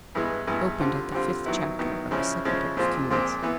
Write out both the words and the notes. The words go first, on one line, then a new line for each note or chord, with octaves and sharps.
It opened at the fifth chapter of the second book of Kings.
G2 E3 G#3 B3
G2 E3 G#3 B3
D3 G3 C4 F4
D3 G3 C4 F4
D#3 F#3 B3 E4
D#3 F#3 B3 E4
C#3 F3 G#3 C#4 E4
C#3 F3 G#3 C#4 E4
A#2 F3 G#3 C4 F4
A#2 F3 G#3 C4 F4
E3 B3